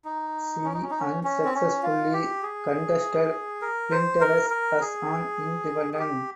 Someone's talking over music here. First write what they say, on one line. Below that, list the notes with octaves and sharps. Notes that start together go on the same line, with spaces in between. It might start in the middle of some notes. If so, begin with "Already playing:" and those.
She unsuccessfully contested Flinders as an independent.
D#4
C#4
D#4
C#4
D#4
C#4
C#4
C4
C#4
F4
G4
G#4
A#4
C5
A#4
A#4
G#4
G#4
G4